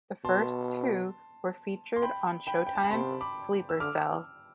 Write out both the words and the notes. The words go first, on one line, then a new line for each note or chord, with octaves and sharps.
The first two were featured on Showtime's "Sleeper Cell".
B2 A5 C6
C6
G5 B5
G5 B5
G5
A5
B5
C3 A5 C6
B5 D6
E6
D3 D6 F6
E3